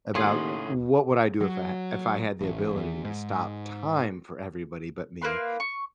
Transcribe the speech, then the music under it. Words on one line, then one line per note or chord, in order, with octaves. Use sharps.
about what would I do if I h if I had the ability to stop time for everybody but me,
D#2 A2 C#3 D#4 F4 G#4 F#5
F#3
A1
E2
G#2
A#3 E4 B4 C6
C#6